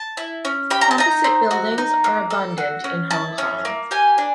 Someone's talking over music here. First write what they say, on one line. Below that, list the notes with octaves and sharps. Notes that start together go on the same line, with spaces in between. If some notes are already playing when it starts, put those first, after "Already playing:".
Composite buildings are abundant in Hong Kong.
Already playing: A5
E4
C#4
G4 B5
A#5
A5
D#4 A#5
C4
F#4
D#4
A#3
A4
F#4
C#4
E4 A5
C#4
A#3
G4 G#5
D4